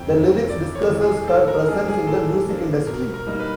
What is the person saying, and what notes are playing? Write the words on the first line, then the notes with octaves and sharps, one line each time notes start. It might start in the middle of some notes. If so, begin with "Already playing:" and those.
The lyrics discusses her presence in the music industry.
Already playing: F2 G5
C3 E3 A3
F2 D5
C#5
C3 E3 A3
G#4
A2 A4
A#4
F3 A#3 D4 G#4
G#4
A2 A4
F3 A#3 D4
B2 A#4
A#4
G3 A#3 D#4
B4